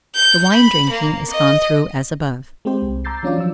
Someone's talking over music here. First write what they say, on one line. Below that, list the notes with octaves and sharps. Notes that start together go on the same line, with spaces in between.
The wine-drinking is gone through as above.
G6
B5
A#3
D#5
G#3 C4 G4 C5
C2
A#5 D6 E6 G6 A6 C7
E3 F#3 C#4 D4 F4 D5
F3 E6